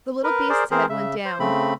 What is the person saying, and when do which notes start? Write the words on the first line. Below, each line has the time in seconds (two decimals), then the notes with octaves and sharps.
The little beast's head went down.
0.24 A#4 B4
0.50 G#4 A#4 C5 D5
0.71 E3 C4 G#4 A#4 C5
0.90 C#3 E5
1.26 C5
1.40 C#3 A3 C4 B5